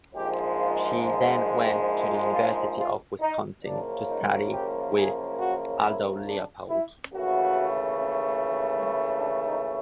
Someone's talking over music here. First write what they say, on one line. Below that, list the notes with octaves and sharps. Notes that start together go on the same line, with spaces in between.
She then went to the University of Wisconsin to study with Aldo Leopold.
A#1 G#2 F3 G#3 G4
F4
D#4
E4
F4
F4
D#4
F#2 C#3 F3 A#3 D4
D#4
G4
G#4
F#4
E4
D4
E4
D#2 C#3 E3 A3 F#4
E4
D4
D#4